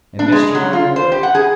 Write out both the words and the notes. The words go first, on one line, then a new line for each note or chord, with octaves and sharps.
"And Mr. Langmore?"
D4
G#3
F#3
F4
C5
G4
F#5
G#4